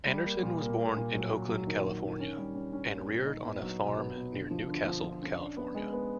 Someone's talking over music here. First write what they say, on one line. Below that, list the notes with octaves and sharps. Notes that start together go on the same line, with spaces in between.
Anderson was born in Oakland, California, and reared on a farm near Newcastle, California.
G3
A#3
A#2
A#3
A#3
A#2
F#3
F#3
F#3
D#3
F#3
D#3
C#4
G3
C#4
C#4
A#3
A#2
D#4
B3
F#3
B2
B3
B2
D3
F3
D3
F3
F3
C#4
D4
B3
G#3
B3